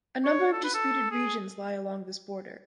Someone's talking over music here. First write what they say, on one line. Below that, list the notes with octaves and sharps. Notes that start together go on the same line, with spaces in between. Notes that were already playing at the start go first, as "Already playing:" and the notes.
A number of disputed regions lie along this border.
C#5
A4
B4
A4
G#4